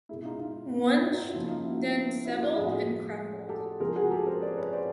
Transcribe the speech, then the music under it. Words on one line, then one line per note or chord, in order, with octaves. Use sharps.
Wunsch then settled in Krefeld.
B2 G#3 B3 E4
D#4 F4
D#4 F4
E4
D#4 F4
E4 F#4
C#3 F3 A#3 C#4
D#4 F4
E4 F#4
E4 F#4
F4 G4
A2 F3 G#3 F#4 G#4
G4 A4
C3 F3 G#3 C4 G#4 A#4
F#4 G#4
G4 A4
A#4 C5
C5 D5
B4 C#5
C5 D5